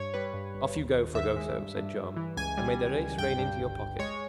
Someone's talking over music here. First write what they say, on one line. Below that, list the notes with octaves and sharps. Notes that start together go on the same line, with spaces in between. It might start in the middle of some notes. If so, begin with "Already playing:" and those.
"Off you go, Fragoso," said Joam, "and may the reis rain into your pocket!"
Already playing: G2 C#5
G3 B4
G2
G1
D#2
D#2
D#2 E5
G#3
G2
G2
G2
E3
C#2 G#5
G3
G3
C#2
G2 G5
G2
G1
G1
G#3 C#5